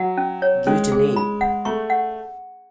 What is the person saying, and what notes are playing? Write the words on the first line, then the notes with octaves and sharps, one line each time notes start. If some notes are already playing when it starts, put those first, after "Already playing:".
Give it a name.
Already playing: F#3 F#5
C#4
C#5
G#3 C#4
G#4
B5
F#5
A3 C#6
F#5